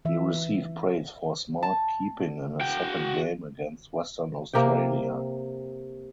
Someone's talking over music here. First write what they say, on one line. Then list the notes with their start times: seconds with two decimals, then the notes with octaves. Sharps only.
He received praise for "smart" keeping in his second game against Western Australia.
0.05 E3 E5
1.63 A5
2.61 F#4 G5
4.54 C3 A#3 G4 G5